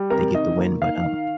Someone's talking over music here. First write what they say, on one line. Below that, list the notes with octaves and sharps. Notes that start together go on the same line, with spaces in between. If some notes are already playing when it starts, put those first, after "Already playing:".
they get the win. But, um,
Already playing: G3
C3 A#4
D#3 D#5
A#3
D#4 F5
D#3